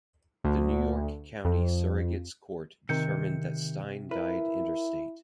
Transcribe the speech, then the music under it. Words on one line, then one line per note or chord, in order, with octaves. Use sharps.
The New York County Surrogate's Court determined that Stein died intestate.
D2
F2
C3 D#3 G6 C#7
E4 A#4 B4